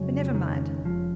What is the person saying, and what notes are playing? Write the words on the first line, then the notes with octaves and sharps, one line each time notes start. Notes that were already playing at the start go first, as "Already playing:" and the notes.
But never mind.
Already playing: F2 C#3 F#3 G#3 C#4
D#3
F1 F3